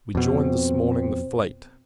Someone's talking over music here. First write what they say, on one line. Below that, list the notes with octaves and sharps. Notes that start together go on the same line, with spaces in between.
We joined, this morning, the fleet.
F2 B2 C4